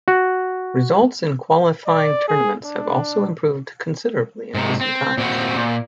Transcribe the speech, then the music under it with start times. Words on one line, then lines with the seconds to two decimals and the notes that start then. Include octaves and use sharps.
Results in qualifying tournaments have also improved considerably in recent times.
0.08 F#4
1.87 D5
2.28 G#4
2.65 D4
4.55 G#2 C3
4.81 C4
5.17 A#2 C4 F#4
5.56 A#2